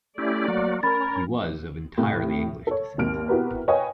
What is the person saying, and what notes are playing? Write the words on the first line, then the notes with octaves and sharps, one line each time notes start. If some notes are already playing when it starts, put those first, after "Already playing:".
He was of entirely English descent.
A3 C#4 E4 G4 D5
F#3 A#3 F#4
C#4 A#4 B5 A6
A2 C3
A4 C#5
G#1 D#2 F6 D7
B3 E4 F#4 G4 A#4 B4
B4 C#5 D#5 F5 G5 G#5